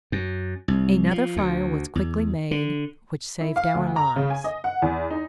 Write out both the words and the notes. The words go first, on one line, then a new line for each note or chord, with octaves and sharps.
Another fire was quickly made, which saved our lives.
F#2
C2
F3
D2
E2
D3
E4
F5
D2
A#5
C#3
G#5
D#5
F#5
E2
D#4